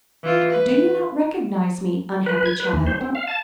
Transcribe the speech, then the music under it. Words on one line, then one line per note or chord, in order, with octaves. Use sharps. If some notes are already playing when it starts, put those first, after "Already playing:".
"Do you not recognize me, unhappy child?"
E3 F4
B4
B4
G#6
B4
D#2
C5
C4
F5
A5